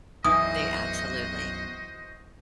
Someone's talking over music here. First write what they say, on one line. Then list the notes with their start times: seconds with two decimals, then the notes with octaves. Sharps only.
They Absolutely
0.24 B1 F#2 E3 F#4 C5 D#5 D#6